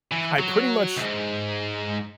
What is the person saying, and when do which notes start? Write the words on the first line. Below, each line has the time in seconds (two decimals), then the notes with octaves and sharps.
I pretty much
0.11 E3
0.38 F#3
0.97 C#2 G#2